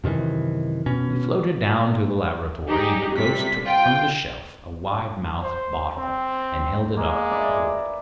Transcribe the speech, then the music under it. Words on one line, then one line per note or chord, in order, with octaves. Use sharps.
We floated down to the laboratory, and the ghost took from the shelf a wide-mouthed bottle and held it up to the light.
F#2 C3 D#3 E3
B2 C#4
D#4 G4 G#4
C3 G3 B6
F4 G5
C5
C4
G#3 A#3
B4 D5 E5